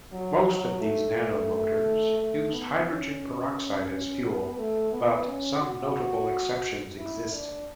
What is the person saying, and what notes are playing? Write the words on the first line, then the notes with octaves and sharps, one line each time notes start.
Most of these nanomotors use hygrogen peroxide as fuel, but some notable exceptions exist.
F#3
F#3
A3
A3
B3
C#4
B3
A3
B3
C#4
F#4
E4
D4